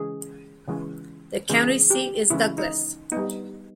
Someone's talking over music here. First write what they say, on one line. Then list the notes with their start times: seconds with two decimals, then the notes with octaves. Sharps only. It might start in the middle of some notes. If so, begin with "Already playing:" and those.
The county seat is Douglas.
Already playing: C#3 E3 G#3 C#4 G#4
0.68 C#3 E3 G#3 C#4
1.49 C#3 E3 G#3 C#4 G#4
1.90 G4
2.30 C#3 E3 G#3 C#4 E4
2.58 D#4
3.12 G3 B3 D#4